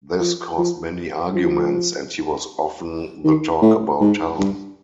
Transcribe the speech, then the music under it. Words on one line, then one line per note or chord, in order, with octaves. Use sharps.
This caused many arguments and he was often the talk about town.
F3
F3
F3
D#3
A2
G#2
G2